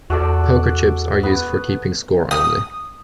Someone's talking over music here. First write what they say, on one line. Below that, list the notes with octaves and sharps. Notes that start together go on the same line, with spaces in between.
Poker chips are used for keeping score only.
E2 F#4 A4 D5
B3 B4
D#6